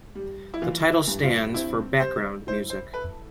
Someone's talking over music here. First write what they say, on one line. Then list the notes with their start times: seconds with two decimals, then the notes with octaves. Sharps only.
The title stands for "Background music".
0.15 G3
0.54 E4
0.62 E3 F4
0.92 E4
1.08 G2
1.23 F4
1.54 C4 E4
2.00 G3 C5
2.47 E4 C5
2.70 C5
2.93 A4 B4